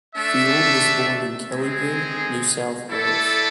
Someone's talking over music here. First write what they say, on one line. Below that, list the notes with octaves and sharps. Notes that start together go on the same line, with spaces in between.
Field was born in Kellyville, New South Wales.
A3 D4 A4 E5
G#3 C4 G#4
A3 E4 A4 D5